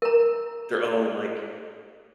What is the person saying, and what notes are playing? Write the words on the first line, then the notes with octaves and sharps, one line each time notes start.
their own, like,
A#4 A#5